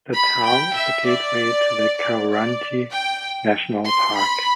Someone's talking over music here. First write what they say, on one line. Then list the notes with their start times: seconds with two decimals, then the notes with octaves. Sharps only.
The town is a gateway to the Kahurangi National Park.
0.13 B5
0.43 G5
0.75 E5
1.06 D5
1.99 D5
2.30 D5
2.92 G5
3.85 C6
4.16 B5